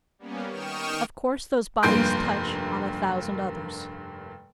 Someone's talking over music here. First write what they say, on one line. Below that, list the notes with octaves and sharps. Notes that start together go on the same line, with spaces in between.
Of course those bodies touch on a thousand others.
G3 A#3 B3 C#4
D#3 G5 C#6 D#6 F6 E7
F1 G2 A#3 C6 G6 D7